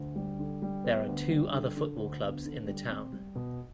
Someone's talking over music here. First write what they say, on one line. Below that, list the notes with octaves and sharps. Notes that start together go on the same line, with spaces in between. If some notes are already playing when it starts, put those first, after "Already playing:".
There are two other football clubs in the town.
Already playing: D2
G3
D3
G3
B3
D2
G3
D3
D3
D2
B3
D3
G3
C4
G3
B2